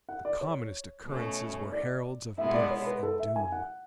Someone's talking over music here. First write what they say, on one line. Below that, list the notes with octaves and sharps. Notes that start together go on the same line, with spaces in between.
The commonest occurrences were heralds of death and doom.
F#5
D5
C#5
B2 A3 C#4
D5
B2 G#3 B3 E4 E5
D5
C#5
B4
A4
E5
G#5
F#5